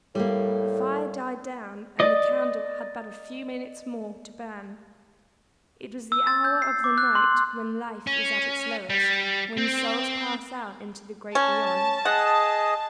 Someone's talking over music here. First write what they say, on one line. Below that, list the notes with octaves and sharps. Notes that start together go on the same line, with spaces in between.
The fire died down and the candle had but a few minutes more to burn. It was the hour of the night when life is at its lowest--when souls pass out into the great Beyond.
A2 G3 A#3
D5 D#5
E6
A6
G6
C7
D6
F#6
C6
C#4
G3
C4
C#4 A5
G#4 D#5 F#5